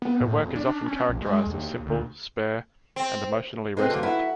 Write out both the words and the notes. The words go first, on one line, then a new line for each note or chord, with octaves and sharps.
Her work is often characterized as simple, spare, and emotionally resonant.
B3
A2
F2
D4
C#4
A#1
G#3
D#2
D2
C4
G#3 C4 D#4 A4 B4 C5
D3 A#3 F#4
E4 F#5